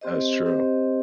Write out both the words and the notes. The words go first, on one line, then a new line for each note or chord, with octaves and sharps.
That's true.
C4 G4 C5 D#5
C4 G4 C5 D#5